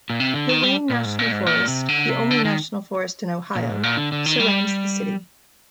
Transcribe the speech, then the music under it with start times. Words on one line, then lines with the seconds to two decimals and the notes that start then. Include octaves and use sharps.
The Wayne National Forest, the only national forest in Ohio, surrounds the city.
0.10 A#2
0.20 C3
0.34 D3
0.49 D#3
0.63 G3
0.90 A#2
1.05 G#2
1.19 A#2
1.32 G#2
1.46 A#2
1.68 C3
1.89 D3
2.09 C3
2.31 D3
2.45 D#3
3.56 A#2
3.69 G#2
3.83 A#2
3.97 D3
4.12 D3
4.26 D#3
4.40 G3